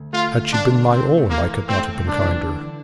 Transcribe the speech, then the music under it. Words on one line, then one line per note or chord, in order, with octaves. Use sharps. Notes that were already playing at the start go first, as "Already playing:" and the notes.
Had she been my own, I could not have been kinder.
Already playing: D2
A3 F4
D2
D4
D3
C3 C4
A3
A#3
E3
A3 C4
C2
D4
E3
D3